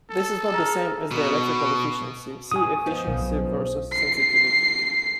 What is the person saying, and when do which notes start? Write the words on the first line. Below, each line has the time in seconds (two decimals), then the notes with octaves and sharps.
This is not the same as the electrical efficiency; see Efficiency versus sensitivity.
0.10 A4
0.50 G#4 A#4
1.11 B2
2.51 F#4 G#5 D#6
2.86 D#3 F3 B3
3.07 B1
3.92 C7